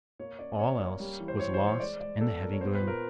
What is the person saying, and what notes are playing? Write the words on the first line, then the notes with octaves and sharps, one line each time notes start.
All else was lost in the heavy gloom.
A#3 C#5
C#4 D5
C#4 C#5
A#3
G3
E3
C5
G3 C#5
C5
E3
C#5
G#3 D5
G#3 D5
B3 A4
B3 A#4
C#5
B3 C5
B4
A#2
A#4